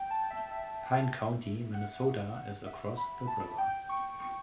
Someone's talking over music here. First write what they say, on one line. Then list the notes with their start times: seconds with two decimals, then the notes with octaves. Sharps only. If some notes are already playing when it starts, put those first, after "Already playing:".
Pine County, Minnesota, is across the river.
Already playing: G5
0.11 A5
0.30 E5
0.51 E5
1.74 F#5
2.35 F#5
2.66 E5
2.97 B5
3.27 A5
3.58 G5
3.89 C#6
4.20 C#6